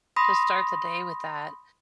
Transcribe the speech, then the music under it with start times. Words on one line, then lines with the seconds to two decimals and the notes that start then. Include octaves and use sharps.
to start the day with that,
0.16 B5 C6 D#6 A#6